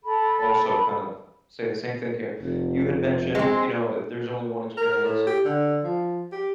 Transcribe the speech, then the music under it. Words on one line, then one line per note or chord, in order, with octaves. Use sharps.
also kinda say the same thing here. You had mentioned, you know, if there's only one experience,
A4 B5
F1
G#3 C4
A#4
A2
G4
D3
F3
G4